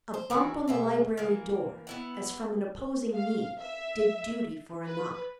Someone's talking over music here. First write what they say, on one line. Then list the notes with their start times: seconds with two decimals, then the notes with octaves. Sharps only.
A bump on the library door, as from an opposing knee, did duty for a knock.
0.14 C5
0.30 D#3 E3 E4 F#4
0.68 B2 G#3 E5
1.17 E3 A#3
1.87 B3 E4 F#5
3.15 F5
3.59 E5
4.86 B4